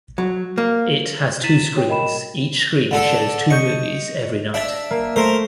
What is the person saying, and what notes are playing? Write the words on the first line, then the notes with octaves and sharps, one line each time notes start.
It has two screens; each screen shows two movies every night.
F#3
A#3
E4 A6 B6 D#7 E7 F#7
F#4 C#5 G5
A#4 D#5 G5 B5 E7
D3 D4 A4
D#5 C#6 G6 D#7
D4 E5
A#3
A3 A#4 C5